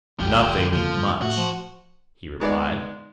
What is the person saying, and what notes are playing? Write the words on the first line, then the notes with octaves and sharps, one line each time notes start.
"Nothing much," he replied.
F#1 B1 D3 F3 G3 G4
F2 C#3 F3 A#3
A2 A3 F#4
F3
G#2 G#3 B3 D5